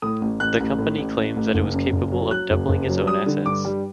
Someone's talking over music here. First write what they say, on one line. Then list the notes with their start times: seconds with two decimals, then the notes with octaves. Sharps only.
The company claims that it was capable of doubling its own assets.
0.02 A2 D#6
0.21 A1
0.40 A1 F#6
0.60 A1
0.79 A2
0.98 A1
1.17 A1
1.36 A1
1.55 F#1
1.74 F#2
1.93 F#1
2.12 F#3
2.31 F#3 F#6
2.50 F#1
2.69 F#1
2.89 F#3
3.07 G3 D#6
3.26 D3
3.46 G2 D6
3.65 G3